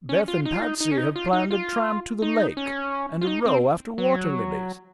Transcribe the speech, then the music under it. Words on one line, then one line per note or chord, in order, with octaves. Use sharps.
"Beth and Patsy have planned a tramp to the lake, and a row after water-lilies."
C#4
F4
D#4
F4
D#4
D#4
C#4
D#4
F4
D#4
F4
D#4
C#4
F4
D#4
C4
F#3